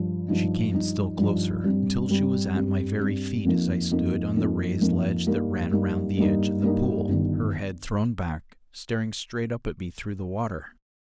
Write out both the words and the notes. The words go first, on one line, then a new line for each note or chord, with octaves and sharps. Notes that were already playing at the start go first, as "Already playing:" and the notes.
She came still closer, until she was at my very feet as I stood on the raised ledge that ran around the edge of the pool, her head thrown back, staring straight up at me through the water.
Already playing: G2 F3
G2 F3 D#4
G2 F3 D#4
G2 F3 D#4
G2 G3 C4
G2 G3 C4
G2 G3 C4
G2 G3 C4
F2 F3 A#3 D#4
F2 F3 A#3 D#4
F2 F3 A#3 D#4
F2 F3 A#3 D#4
G2 G3 A#3 D#4
G2 G3 A#3 D#4
G2 G3 A#3 D#4
G2 G3 A#3 D#4
G1 G2 D#3